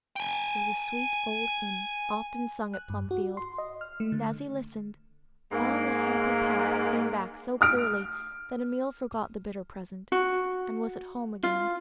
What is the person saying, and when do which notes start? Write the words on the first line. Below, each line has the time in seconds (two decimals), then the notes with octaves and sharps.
It was a sweet old hymn often sung at Plumfield; and as he listened, all the happy past came back so clearly that Emil forgot the bitter present, and was at home again.
0.16 G5 G#5
2.74 F#6
2.90 G2
3.11 F#4
3.37 C6
3.58 D#5
3.81 F6
4.00 A3
4.12 D3
5.52 G#2 A#3
7.61 D#6 F6 D7
10.12 F#4
11.43 F4